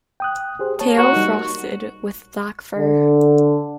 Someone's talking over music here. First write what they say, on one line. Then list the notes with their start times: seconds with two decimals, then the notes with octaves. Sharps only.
Tail frosted with black fur.
0.20 G5 D#6 F#6
0.59 G4 G#4 C5
0.80 A#3 C#5 A5
0.98 A#3 F#4 A#4 C#5
1.13 G3 D#4
2.77 D3